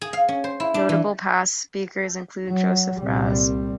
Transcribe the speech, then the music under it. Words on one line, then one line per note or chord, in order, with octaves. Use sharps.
Notable past speakers include Joseph Raz.
G#4
F5
C#4
C5
E4
D4
E3
F#3
C2 A#2 G3 C4